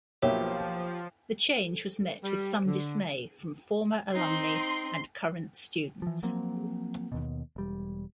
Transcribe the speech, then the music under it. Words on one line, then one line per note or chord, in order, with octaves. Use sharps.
The change was met with some dismay from former alumnae and current students.
B1 F3 A#3 G4 C#5 E5
G3
D3
C4 D#4 C6
E3 F3
F3 F#3 A#3 C4
D#2 B2
E1 G3